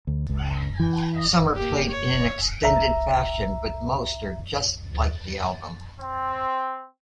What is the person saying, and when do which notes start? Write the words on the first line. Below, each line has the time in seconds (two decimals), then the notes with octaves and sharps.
Some are played in an extended fashion, but most are just like the album.
0.07 D2
0.29 C#2
0.80 E3
1.56 A#3 G4
1.90 C#5
2.62 C2 E5 A#5
6.00 C4